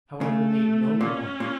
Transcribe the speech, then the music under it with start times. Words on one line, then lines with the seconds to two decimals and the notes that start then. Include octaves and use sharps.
I however made no remark.
0.21 C#3 A3
1.01 A#2 C#4
1.40 A#2